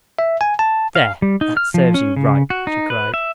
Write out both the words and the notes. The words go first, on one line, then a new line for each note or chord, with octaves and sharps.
"There! that serves you right," she cried.
E5
G#5
A5
F5
G3
D#4
F6
F3
C#4
C#3
F#4
D#4
B4
E5